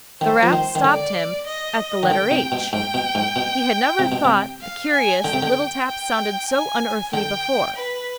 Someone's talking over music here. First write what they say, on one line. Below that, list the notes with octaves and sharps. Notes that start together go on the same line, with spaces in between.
The rap stopped him at the letter H. He had never thought the curious little taps sounded so unearthly before.
D#3 C5
F3
D#3
D#3
D3 D5
D#5
D#3
D3 G5
C3
B2
G#2 G5
B2
G#2
B2
C3
B2
C3
F5
G#5
D3 G5
C3
D3
G5
G#5
D3 G5
B4